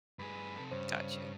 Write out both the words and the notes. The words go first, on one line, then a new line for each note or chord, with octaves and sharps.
Got you.
G2 G#4 B4
C3 A4
G2 C#3 C5